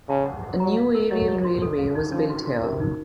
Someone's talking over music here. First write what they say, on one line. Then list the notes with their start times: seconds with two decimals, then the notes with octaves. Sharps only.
A new aerial railway was built here.
0.09 C#3 A5
0.26 F#5
0.43 F#5
0.60 F#3 A#5
0.77 F5
0.94 A#4
1.10 F#3 D#5
1.28 D#5
1.45 F#4
1.62 A4
1.78 F5
1.95 D#4
2.12 F3 C#4
2.30 F#4
2.46 F#4
2.63 C3 A#4
2.80 D#4